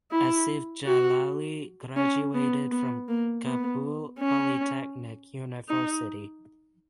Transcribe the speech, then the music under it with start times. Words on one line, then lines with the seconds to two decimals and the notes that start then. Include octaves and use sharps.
Asif Jalali graduated from Kabul Polytechnic University.
0.12 E4
0.86 F#4
1.97 C#4
2.34 B3
2.72 B3
3.09 A#3
3.45 B3
4.20 C#4
5.69 D#4